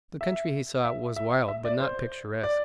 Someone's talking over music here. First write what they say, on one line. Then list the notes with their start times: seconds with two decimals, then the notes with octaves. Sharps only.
The country he saw was wild but not picturesque.
0.21 E5
0.85 E5
1.16 E5
1.48 E5
1.65 D5
1.80 C5
2.44 D5